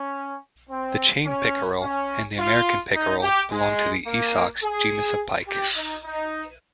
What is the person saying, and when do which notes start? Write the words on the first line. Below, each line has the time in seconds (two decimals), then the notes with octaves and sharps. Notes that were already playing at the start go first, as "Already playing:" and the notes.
The chain pickerel and the American pickerel belong to the "Esox" genus of pike.
Already playing: C#4
0.69 C4
1.25 C#4
1.81 C#4
2.38 F4
2.94 D#4
3.22 G4
3.51 G#3
4.07 A#3
4.63 G#4
5.48 G4
5.76 D#4
6.04 D#4